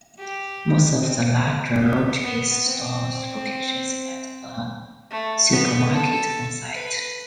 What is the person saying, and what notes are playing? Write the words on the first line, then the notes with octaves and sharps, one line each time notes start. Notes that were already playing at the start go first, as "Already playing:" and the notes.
Most of the larger Roches Stores locations had a supermarket on-site.
G4
C4
B3
B3
C4
A3
B3
A4
B4